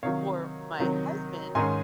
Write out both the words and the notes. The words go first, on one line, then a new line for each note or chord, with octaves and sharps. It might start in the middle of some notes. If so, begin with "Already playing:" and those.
for my husband,
C3 D#3 F#3 C#5 F5
C3 D#3 F#3
G#2 D#3 G#3 C#4 G#5 C6